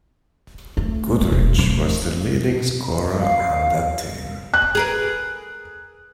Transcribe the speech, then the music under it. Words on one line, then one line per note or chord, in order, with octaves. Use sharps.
Goodrich was the leading scorer on that team.
A3
E1
F3 A3
F5
F#6
G#4 A#4 B4